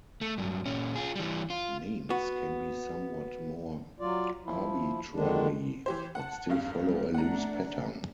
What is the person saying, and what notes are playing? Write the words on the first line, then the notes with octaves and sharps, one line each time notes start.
Names can be somewhat more arbitrary, but still follow a loose pattern.
A3
G2 F#3
A#2 C#4
F4 G#4
E3 G3
F4
B3 F#4
F#3 F4 D5
F3 E4
F2 D3 D#3 G#3 D4
E3 G4 C5
F#5 A5
E2 G2 F5
G3
A3 D4 F#5 A#5